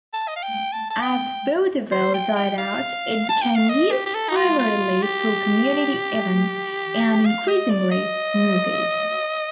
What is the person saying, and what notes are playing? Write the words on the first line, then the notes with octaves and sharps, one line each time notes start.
As vaudeville died out, it became used primarily for community events, and increasingly, movies.
A5
D#5
F5
G5
A5
A5
G5
C5
G5
G5
F5
A5
G5
F5
D#5
G4
G4
A4
D#4
F4
F4
G4
F5
D#5
D5
D#5